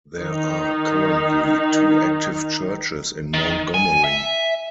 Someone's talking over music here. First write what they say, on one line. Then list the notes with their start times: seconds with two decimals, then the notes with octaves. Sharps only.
There are currently two active churches in Montgomery.
0.20 D#3 D#4
3.33 D#3
3.74 G#5
4.04 E5